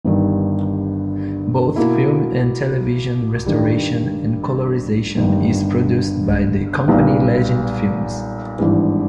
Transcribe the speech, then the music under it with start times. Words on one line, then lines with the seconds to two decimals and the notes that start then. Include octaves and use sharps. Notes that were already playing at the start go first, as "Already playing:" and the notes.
Both film and television restoration and colorization is produced by the company Legend Films.
0.04 G1 G2 D#3
1.76 B2 A#3 E4
3.46 G2 D#3 G3
5.17 G1 G2 D#3
6.88 B1 A#2 G3 B3
8.59 G#1 G2 E3